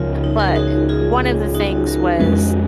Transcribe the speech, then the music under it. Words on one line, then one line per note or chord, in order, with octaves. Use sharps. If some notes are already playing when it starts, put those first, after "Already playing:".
But, uh, one of the things was
Already playing: C#2 C#3 F3 F4 A#4 C#5
D#4
A#4
G#4
D#4 F#4
F4 G#4
D#4 F#4
F#4 A#4
F2 F3 G#3 C#4 F#4 A#4